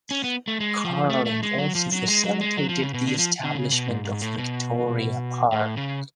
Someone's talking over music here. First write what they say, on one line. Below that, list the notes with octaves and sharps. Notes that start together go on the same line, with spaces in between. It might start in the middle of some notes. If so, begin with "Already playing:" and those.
Carling also facilitated the establishment of Victoria Park.
C#4
B3
A3
G#3
F3
A3
A3
G#3
F#3
F3
F#3
G#3
F#3
G#3
F#3
F3
C#3
B2
D3
F3
D3
C#3
B2
G#2
G#2
A2
B2
A2
C#3